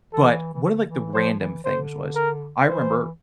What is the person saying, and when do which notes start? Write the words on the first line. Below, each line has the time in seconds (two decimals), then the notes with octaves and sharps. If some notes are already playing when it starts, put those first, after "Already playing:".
but one of, like, the random things was I remember
0.13 E3 A4
0.54 E3
0.63 D3
0.90 E3
1.14 F3 C5
1.40 E3
1.64 D3 C5
2.16 A#4
2.65 E3 C5